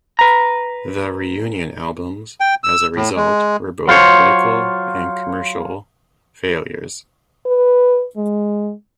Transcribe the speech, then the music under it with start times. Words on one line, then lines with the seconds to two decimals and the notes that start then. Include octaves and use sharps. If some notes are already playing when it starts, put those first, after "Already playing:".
The reunion albums, as a result, were both critical and commercial failures.
0.19 B4 A#5
2.40 G5
2.64 E6
2.96 A2
3.17 G#3
3.88 F#3 F4 C5 C#5
7.46 B4
8.17 G#3